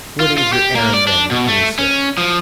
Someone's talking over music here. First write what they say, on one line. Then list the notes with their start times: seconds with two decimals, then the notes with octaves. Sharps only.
"What is your errand, then, with me, sir?"
0.20 F4
0.38 F4
0.53 G4
0.75 A#3
0.94 D5
1.07 D4
1.31 B2
1.48 A3
1.79 C#4
2.18 F3